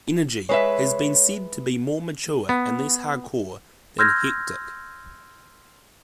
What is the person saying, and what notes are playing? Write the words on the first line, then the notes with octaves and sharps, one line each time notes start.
"Energy" has been said to be more mature and less hardcore than "Hectic".
G#3 B4 C#5 E5
B3
C6 E6 F6 G6 G#6 A#6